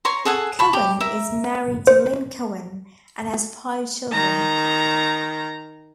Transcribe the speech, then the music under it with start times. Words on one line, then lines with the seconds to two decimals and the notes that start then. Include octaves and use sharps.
Cohen is married to Lynn Cohen and has five children.
0.05 C#5 A#5 C6
0.25 G#4 A4 F#5 G#5
0.59 A5 B5 C#6
0.73 G4
1.00 A#4 E5
1.87 C5
4.12 D#3 A#5